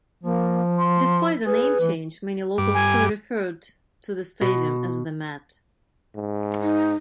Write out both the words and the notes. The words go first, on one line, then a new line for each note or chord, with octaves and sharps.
Despite the name change, many locals still referred to the stadium as "The Met".
F3 A#3
C6
G#4 B4
E3
G2 D6
G#5
B2
G#2
D#4